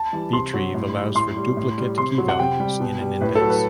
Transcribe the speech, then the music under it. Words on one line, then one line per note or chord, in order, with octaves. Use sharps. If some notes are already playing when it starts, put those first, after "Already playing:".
Btrieve allows for duplicate key values in an index.
Already playing: A5
E3 G3
C3 C6
F#3
A2
G3
A2 C6
G3
A2
G3
C3 C6
F#3
F#5
C3 G5
G3
B2
G3
A2 B4
A4
F#3
B4